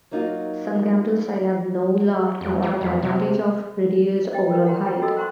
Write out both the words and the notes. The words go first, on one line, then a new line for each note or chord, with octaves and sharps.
Some Gambrel-styles have no loft and offer the advantage of reduced overall height.
F#3 A#3 D#4 F4 F#4
F2
G3
F2
C3
D#5 G5
A#4 B4
F#5 G5 A#5 C6
E4 B4 G5 A#5
F#4 A4 D5 D#5 E6
C5 F#5 A#5 C6 C#6